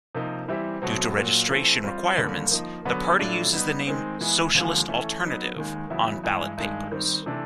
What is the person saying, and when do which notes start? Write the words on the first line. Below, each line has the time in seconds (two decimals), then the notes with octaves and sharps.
Due to registration requirements, the party uses the name "Socialist Alternative" on ballot papers.
0.15 C3 F3 A#3 D#4
0.48 E3 G3 C4 E4 G4
0.82 B2 F#3 A3 C4
1.16 A#2 F#3 A#3
1.50 E3 A3 C4
1.84 G3 C4 F4
2.18 D#2 D3 G3 A#3
2.51 F3 A#3 D#4
2.85 D3 F#3 B3 D4 F#4
3.19 A2 F#3 A3 D4 F4
3.53 G3 B3 D#4
3.87 D#3 G#3 C4
4.21 E3 G#3 B3
4.55 D#2 D3 F3 G#3
4.88 E3 A3 C#4
5.22 F#3 B3 D#4
5.56 D#2 D#3 G#3
5.90 E2 C#3 F#3 B3 E4
6.24 G2 E3 G#3
6.58 G2 D#3 G#3
6.92 D#3 G3 C4
7.26 C3 E3 A3 D4